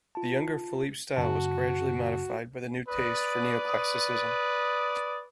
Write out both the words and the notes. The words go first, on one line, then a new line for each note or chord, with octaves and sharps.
The younger Philippe's style was gradually modified by the new taste for Neoclassicism.
F4 A5
F#2 C#3 F#4 A5
B4 D5 D#6